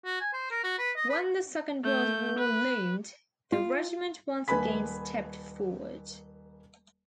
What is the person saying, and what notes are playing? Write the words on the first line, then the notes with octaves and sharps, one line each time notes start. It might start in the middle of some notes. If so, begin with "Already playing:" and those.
When the Second World War loomed, the regiment once again stepped forward.
F#4
G#5
C5
A#4
F#4
B4
D#5
B4
A3 G6
B4
F4
D#1 A#3 B4 G#5 B5 B6